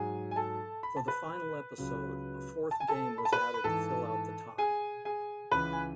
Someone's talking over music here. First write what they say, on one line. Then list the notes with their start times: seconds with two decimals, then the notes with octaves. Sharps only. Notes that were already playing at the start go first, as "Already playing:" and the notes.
For the final episode, a fourth game was added to fill out the time.
Already playing: G#2 F#3 G#4 G#5
0.31 G#5
0.36 A4 A5
0.83 B5
0.96 A5
1.08 B4 B5
1.78 C#2 C#3 F#3
2.71 A5
2.80 G#5
2.88 A4 A5
3.18 B5
3.25 A5
3.33 B4 B5
3.54 B5
3.64 G#2 E3 A4 A5
4.58 G#4 G#5
5.05 G#4 G#5
5.51 C#2 C#3 E3 B4 B5
5.73 G#5